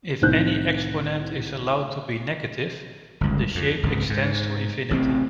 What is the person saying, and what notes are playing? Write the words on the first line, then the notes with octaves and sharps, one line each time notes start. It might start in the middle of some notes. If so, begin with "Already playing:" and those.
If any exponent is allowed to be negative, the shape extends to infinity.
C2 A2 D#3 C5 F#6 G6
G1 C#2
F2
G#1 C#2
G#2
A1 C3 C4